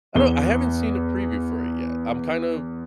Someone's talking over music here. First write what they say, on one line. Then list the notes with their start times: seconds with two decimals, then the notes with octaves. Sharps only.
I don't I haven't seen a preview for it yet. I'm kind of
0.15 E2 G7